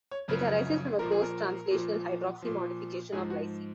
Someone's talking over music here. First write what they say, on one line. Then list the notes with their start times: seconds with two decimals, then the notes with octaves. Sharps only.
It arises from a post-translational hydroxy modification of lysine.
0.11 C#5
0.28 F#2 C#3 F3 B4
0.99 A#2 F3 A#4
1.11 G#4
1.22 A#4
1.71 A#2 F3
2.42 A#2 F3
3.12 G#2 F3 G#4
3.30 F#4